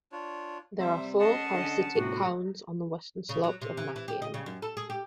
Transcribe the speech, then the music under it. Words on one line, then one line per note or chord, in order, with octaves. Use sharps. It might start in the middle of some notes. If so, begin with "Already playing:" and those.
There are four parasitic cones on the western slopes of Makian.
D4 F4 C#5
C3 G3 C5 E5
C#4 G#4 D#5 F#5 A5
D3 D#5
G1 A2 C3 F#4
C#3
F#3
C3
E3
E3
G4
D#5
C#3
F#2
A4
G#4
G4